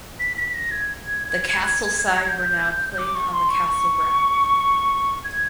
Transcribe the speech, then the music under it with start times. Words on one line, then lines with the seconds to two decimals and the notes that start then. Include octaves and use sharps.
The Castle side were now playing on the Castle ground.
0.19 B6
0.36 B6
0.54 A#6
0.71 G#6
2.28 G6
2.98 D6
3.15 C#6
3.33 C6
3.50 C#6
5.24 G#6